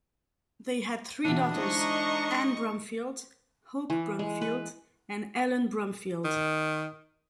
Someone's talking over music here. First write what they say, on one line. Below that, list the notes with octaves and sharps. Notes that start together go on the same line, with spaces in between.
They had three daughters, Ann Bromfield, Hope Bromfield and Ellen Bromfield.
B2 D3 E3 D4 E4
G#3 D#4 E4 C5 D#5 A#5 C#6
E3
G#3
B4
D#3